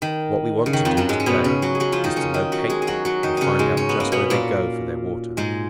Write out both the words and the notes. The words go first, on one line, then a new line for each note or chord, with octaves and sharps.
What we want to do, to-day, is to locate them and find out just where they go for their water.
D#3
C#3
D#3
F2 F3
F#2 F#3
G#2 G#3
C#4
B2 B3
C#3 C#4
F#3 F#4
G#4
F#3 F#4
F3 F4
D#3 D#4
C#3 C#4
D#3 D#4
F#3 F#4
G#3 G#4
G#4
F#3 F#4
F#3 F#4
D#3 D#4
C#3 C#4 D#4
G#2 G#3
C#4
B3
A#3
B2 B3
A#2 A#3
G#2 G#3